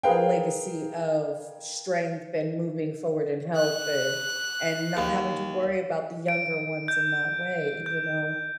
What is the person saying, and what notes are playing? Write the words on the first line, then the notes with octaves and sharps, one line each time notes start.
a legacy of strength and moving forward in health and and not having to worry about the younger ones in that way, you know?
G#4 A#4 B4 F5 G5
F#6
D#2
D7
G6
G6